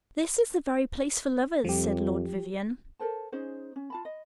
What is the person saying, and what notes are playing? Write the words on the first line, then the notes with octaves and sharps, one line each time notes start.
"This is the very place for lovers," said Lord Vivianne.
F2 F3 G3 G4
A4 A#4 C5 A5
C#4 D#4 G#4 C5
C#4
F4 A5 B5
D#5